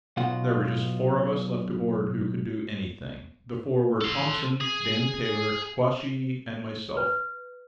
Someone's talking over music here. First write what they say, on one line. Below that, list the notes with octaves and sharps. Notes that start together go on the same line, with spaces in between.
There were just four of us left aboard who could do anything. The four were Thompson, Dan Taylor, Quashee, and myself.
B1 B2 F4 F#5
A4 C6
G#4
B4